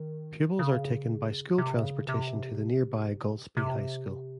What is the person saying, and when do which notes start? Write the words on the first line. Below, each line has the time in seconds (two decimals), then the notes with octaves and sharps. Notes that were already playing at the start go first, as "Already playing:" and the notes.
Pupils are taken by school transportation to the near by Golspie High School.
Already playing: D#3
0.59 C#3
1.58 C3
1.83 C#3
2.09 C3
3.57 C3